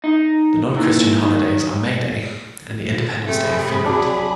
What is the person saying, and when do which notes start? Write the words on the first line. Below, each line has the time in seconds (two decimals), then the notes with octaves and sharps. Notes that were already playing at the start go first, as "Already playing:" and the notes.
The non-Christian holidays are May Day and the Independence Day of Finland.
0.04 D#4
0.76 A#2 D#3 E3
1.22 D#3
3.26 C3 A3 G#4 B5
3.86 F#3 D4